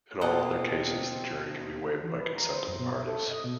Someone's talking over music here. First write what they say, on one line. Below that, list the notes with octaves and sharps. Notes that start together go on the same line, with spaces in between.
In all other cases, the jury can be waived by consent of the parties.
B2 A#3 C4 F4 D#5 F#5 A5
E3
B4
A#5
C5
F#2
B2
E5
A4
D#5
B2